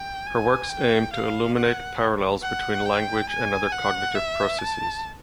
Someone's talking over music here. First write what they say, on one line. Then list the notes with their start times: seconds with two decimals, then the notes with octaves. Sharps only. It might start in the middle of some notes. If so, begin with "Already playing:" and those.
Her works aim to illuminate parallels between language and other cognitive processes.
Already playing: G5
0.26 G#5
0.69 G5
1.13 F5
1.56 F#5
2.42 F#5
2.86 G5
3.29 G#5
3.72 F#5
4.15 E5
4.59 A5